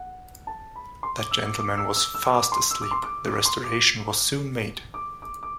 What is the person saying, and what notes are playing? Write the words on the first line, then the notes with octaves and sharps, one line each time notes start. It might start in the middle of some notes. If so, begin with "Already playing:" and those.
That gentleman was fast asleep; the restoration was soon made.
Already playing: F#5
A5
B5
C6
D6
E6
D6
D6
E6
E6
E6
D6
C6
E6
D6
C6
D6
D6
C6
D6
D6
D6
D6